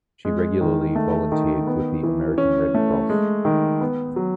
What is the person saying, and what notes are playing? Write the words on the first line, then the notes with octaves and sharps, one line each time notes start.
She regularly volunteered with the American Red Cross.
G#3
D#3
A3
D#3
B3
E3
C#4
A3
G#3
D#3
B3
F#3